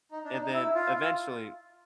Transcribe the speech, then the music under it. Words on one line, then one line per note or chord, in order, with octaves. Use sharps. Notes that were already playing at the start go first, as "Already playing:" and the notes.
and then, eventually,
D#4
D4
D#4
D#4
E4
F4
F4